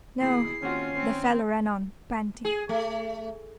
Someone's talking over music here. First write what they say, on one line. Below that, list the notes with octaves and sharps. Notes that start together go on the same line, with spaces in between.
No! the fellow ran on, panting.
D#2 B2 E4 G#4 C7
D#2 C4 C#4 F4 F#4
C4
G#4
A3